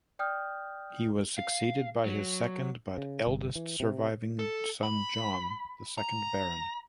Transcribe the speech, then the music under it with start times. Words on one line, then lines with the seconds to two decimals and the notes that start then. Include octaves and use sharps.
He was succeeded by his second but eldest surviving son John, the second Baron.
0.19 D5 G5 D#6 F6 G6
1.38 F5
2.06 F#3
2.98 C#3
3.27 G1
3.55 E3
3.80 C3
4.39 A4
4.83 B5
5.98 A#5